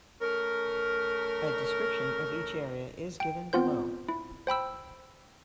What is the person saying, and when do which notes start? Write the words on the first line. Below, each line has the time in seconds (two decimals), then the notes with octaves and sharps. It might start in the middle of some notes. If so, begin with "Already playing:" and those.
A description of each area is given below.
0.22 A3 C#4 A#4
3.20 G5
3.53 B3 C4 F4 C5 G6
4.09 E4
4.47 C5 G5 B5 E6